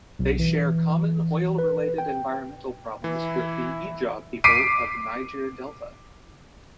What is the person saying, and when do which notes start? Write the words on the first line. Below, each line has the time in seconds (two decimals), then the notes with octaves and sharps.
They share common oil-related environmental problems with the Ijaw people of Niger Delta.
0.19 B1
0.39 E3
1.58 B4
1.98 G5
3.04 E3 E4
4.44 D6 B6 C7 D7 D#7